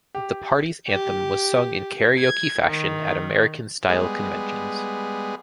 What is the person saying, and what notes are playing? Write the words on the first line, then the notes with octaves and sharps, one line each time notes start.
The party's anthem was sung in karaoke fashion at American-style conventions.
G4
G4
G#6
D#3
G3 G#3 B3 G#4